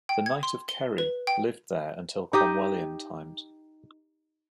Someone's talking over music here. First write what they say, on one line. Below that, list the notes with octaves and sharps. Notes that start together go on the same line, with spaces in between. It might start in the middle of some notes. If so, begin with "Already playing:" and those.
The Knight of Kerry lived there until Cromwellian times.
G5
G#6
C6
G7
B4
G5
D#4 G4 D#5